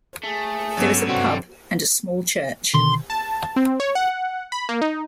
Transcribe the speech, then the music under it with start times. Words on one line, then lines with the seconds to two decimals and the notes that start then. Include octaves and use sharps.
There is a pub and a small church.
0.24 A3 G#4
0.77 G2 D3 F#3 B3 C#4
1.09 G2 C3 G3 C4 F#4
2.74 B2 D3 D#3 C6
3.10 A5
3.56 C4
3.80 C#5
3.95 F#5
4.52 B5
4.69 A#3
4.81 D#4